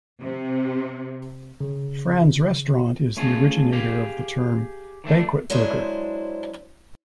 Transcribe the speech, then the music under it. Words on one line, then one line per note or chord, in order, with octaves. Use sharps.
Fran's Restaurant is the originator of the term "Banquet Burger".
C3
C#3
A3 C#4 F4 G#4 A4
G4 G#4 F5
D#3 E3 A3 D4
F#3 G#3 D4 E4 C5